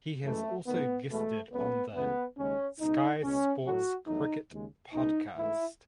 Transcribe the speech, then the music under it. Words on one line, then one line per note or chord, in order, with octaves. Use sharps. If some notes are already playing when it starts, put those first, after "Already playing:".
He has also guested on the "Sky Sports Cricket Podcast".
F#2 E3 G#3 A3
G#2 D#3 A3 B3
E2 B2 G#3 A3
C#2 C#3 F#3 A3 B3
C#2 C#3 E3 A3 B3
D#2 C#3 G#3 C#4
C#2 B2 G#3 D#4
C#2 B2 G#3 C#4
A2 F#3 A3 F#4
E2 D#3 F#3 A3 D#4
D#2 C#3 G#3
C#2 B2 G#3 D#4
G#2 E3 A3 E4